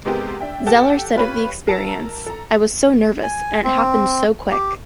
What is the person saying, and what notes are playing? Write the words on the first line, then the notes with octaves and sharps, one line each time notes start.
Zellar said of the experience: I was so nervous, and it happened so quick.
C3 G#3 B3 C4 G4 A#4
D4 E5 G5
G4 A4 F#5 G5 A5
F4 G4 B4 C#5 B5
A#4 A5 A#5 E6
A4 A#5
G#5
C4
G4